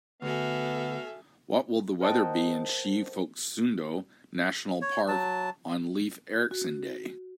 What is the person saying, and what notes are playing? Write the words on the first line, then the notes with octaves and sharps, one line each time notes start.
What will the weather be in Sche-Phoksundo-Nationalpark on leif erikson day?
D2 B3 F#4 A4 E5 F5 G#5
A#4 C5 D#5 F#5 G5 A5
C#5
F#3 A5
F#4